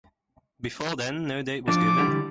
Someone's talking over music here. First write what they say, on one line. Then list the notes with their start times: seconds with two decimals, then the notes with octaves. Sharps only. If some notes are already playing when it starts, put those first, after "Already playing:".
Before then no date was given.
1.68 F3 D4 D6
1.98 D3 E3 G3